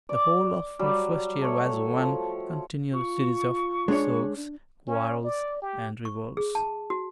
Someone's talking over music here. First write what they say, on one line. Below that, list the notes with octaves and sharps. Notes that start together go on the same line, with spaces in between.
The whole of her first year was one continual series of sulks, quarrels, and revolts.
D5
F#3 G3
A3 C#5
F3
F4 C#6
G#3 D4 G#4 C#5
C#4
D5
G4
C#6
G#4
A5
F#4